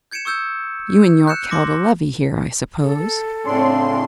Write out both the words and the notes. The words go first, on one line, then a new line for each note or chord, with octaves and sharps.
You and Yorke held a levee here, I suppose?
G6 G#6 C#7 D7 E7
C#6 D#6 E6 G6 G#6
F#6 G6 C#7 E7
C6 D6 A#6
A4
A2 C#3 C4 D4 C6